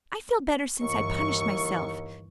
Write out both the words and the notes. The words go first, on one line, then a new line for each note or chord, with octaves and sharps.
I feel better since I punished myself.
G1 D#2 E3 C#6